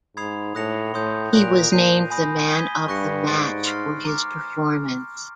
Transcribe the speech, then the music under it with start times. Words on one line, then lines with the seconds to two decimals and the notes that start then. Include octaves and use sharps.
He was named the Man of the Match for his performance.
0.17 G#2 B5 D#6 G#6 C7 F7
0.55 A2 D#6 F#6 A#6 C#7 F7
0.94 A2 C6 D#6 G6
1.33 A#2 F#6 A#6 D7 F7
1.72 A#2 G6 C7 D#7
2.10 G#5 B5 D#6 G6 A#6
2.50 D#6 G#6 B6 D#7 G7
2.88 G2 C#6 F#6 A#6 C#7
3.27 G#2 F#6 A6 D7
3.65 C6 F6 A6 C7
4.05 A#5 D6 F6